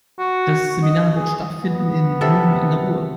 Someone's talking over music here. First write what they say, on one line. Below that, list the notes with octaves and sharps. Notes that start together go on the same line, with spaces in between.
Das Seminar wird stattfinden in Mülheim an der Ruhr.
F#4
D#5
G#4
B3
C3 A4